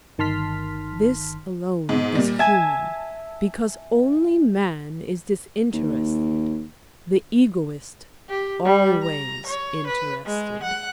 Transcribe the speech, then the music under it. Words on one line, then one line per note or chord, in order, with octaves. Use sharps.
This alone is human, because only Man is disinterested, the egoist always interested.
G1 D#3 A5 C6 F6 B6
G#2 B2
A#2 G3
E5 G#5 A5 G#6
D#2
G4
G3
A#5
C#5
B4
G#3
F#5